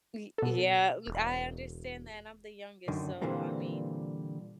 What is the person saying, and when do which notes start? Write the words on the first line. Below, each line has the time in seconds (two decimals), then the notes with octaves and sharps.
Y yeah, m I understand that I'm the youngest, so I mean
0.38 B2 A4
1.07 E1
2.88 F#2 D3 D#3
3.21 A#2 D3 E3 G3 A#3 C4